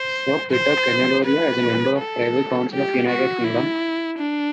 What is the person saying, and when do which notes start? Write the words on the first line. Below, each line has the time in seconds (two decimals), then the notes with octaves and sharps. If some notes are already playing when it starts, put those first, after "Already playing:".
Sir Peter Kenilorea as a member of the Privy Council of the United Kingdom.
Already playing: C5
0.51 C5
1.25 B4
1.98 A4
2.71 G4
3.08 F#4
3.45 E4
4.18 D4